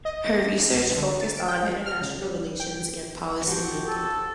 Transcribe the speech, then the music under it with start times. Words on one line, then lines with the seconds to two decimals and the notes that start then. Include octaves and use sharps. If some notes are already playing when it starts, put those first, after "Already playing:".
Her research focused on international relations and policymaking.
0.05 D#5
0.38 G4
0.75 B1
0.97 D3
1.21 A6
1.36 D7
1.48 G5
1.63 G#3
1.86 F6
2.02 C#3
2.21 G3
2.60 G5
3.47 F3 F#4 G4
3.88 A4